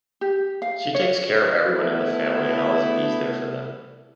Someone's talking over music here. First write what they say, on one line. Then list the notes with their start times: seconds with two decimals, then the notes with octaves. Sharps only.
She takes care of everyone in the family and always bees there for them.
0.21 G4
0.62 F5
0.95 C#5
1.68 A3 B3 E4